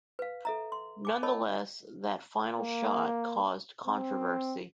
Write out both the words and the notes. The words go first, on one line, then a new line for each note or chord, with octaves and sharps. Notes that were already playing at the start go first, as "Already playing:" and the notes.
Nonetheless, that final shot caused controversy.
B4 F5
A4 E5 A#5
C6
G#5 D6
A#4 C#5 D#5 A5 B5
A#3
C4